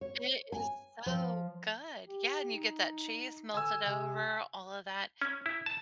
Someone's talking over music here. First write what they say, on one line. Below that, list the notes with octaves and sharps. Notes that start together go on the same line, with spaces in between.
It is so good. Yeah and you get that cheese melted over, all of that.
C#5
G#5
F3
G4
D#4
D3 G#5 E6
C3
C#4
E4
A5